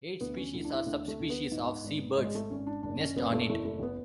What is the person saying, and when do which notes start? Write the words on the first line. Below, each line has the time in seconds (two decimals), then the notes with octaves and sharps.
Eight species or subspecies of seabirds nest on it.
0.21 D2 B3
0.37 C#4
0.53 D2 E4
0.65 D4
0.70 E4
0.86 D2 D4
1.08 A3
1.20 D2
1.30 B3
1.52 G#2
1.84 G#1
2.17 G#1 G#3
2.35 A3
2.50 G#1 C#4
2.67 D4
2.83 F#1 D4
3.00 C#4
3.16 F#1 B3
3.33 A3
3.49 E2 A3
3.65 A3
3.83 B3